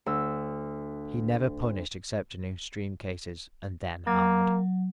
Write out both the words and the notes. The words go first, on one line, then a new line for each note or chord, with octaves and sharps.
He never punished except in extreme cases, and then hard.
D2 E6
F#3 A#3